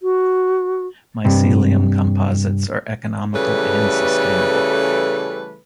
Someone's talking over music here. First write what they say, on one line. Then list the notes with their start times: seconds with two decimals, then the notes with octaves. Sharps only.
Mycelium composites are economical and sustainable.
0.01 F#4
1.25 G2 C3
3.34 C#3 E3 G3 A3 A4 B4